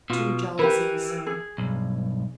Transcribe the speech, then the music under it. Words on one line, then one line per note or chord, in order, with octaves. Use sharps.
Two Jealousies.
B2 F4
E3 G4 A#4 B4
G#4
B1 G2